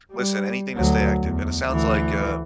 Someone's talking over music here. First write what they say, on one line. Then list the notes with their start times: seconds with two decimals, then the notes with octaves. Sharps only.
listen, anything to stay active, and it sounds like, uh
0.12 G3
0.76 D2 F#3
1.20 E2
1.68 D2 E3